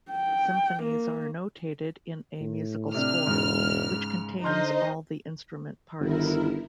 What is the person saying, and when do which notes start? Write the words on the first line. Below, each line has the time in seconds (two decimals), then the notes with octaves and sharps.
Symphonies are notated in a musical score, which contains all the instrument parts.
0.11 G5
0.82 A#3
2.41 A2
2.94 C3 D4 F6
3.27 E1 G#2 C#3
4.44 D3 D#4 C5 D#5 C6 F6 G6
6.00 G1 D#3 E4 A#4